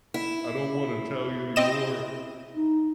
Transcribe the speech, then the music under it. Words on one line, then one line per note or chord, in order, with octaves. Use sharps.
I don't wanna tell you anymore
E4
C4 D#5 E7
D#4